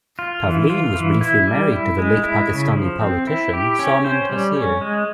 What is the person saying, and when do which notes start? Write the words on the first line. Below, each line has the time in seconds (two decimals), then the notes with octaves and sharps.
Tavleen was briefly married to the late Pakistani politician Salman Taseer.
0.19 F4
0.44 E3
0.70 F4
0.96 E3
1.21 E4
1.47 G3
1.72 E4
1.98 G#3
2.24 E4
2.49 C#3
2.76 F3
3.01 C4
3.27 E4
3.53 G4
3.79 C#4
4.04 C5
4.29 G3
4.56 C#4
4.81 G#3